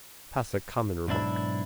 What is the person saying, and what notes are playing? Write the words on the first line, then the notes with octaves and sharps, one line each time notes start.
Pass a common remark.
B1 G#2 D4 E4